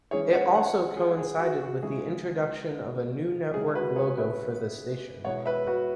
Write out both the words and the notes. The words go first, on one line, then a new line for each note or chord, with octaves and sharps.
It also coincided with the introduction of a new network logo for the station.
E3 G#3 C#4 E4 G#4 C#5
C#5 F#5
C#5 F#5
G#4
G#4
F#4
F#4
C#3 G#3 E4 G#4
C#3 G#3 C#4 E4 G#4
F#4 B4
G#4 C#5
B4 E5
B2 G#3 B3 E4 C#5 F#5
B4 E5
F#4 B4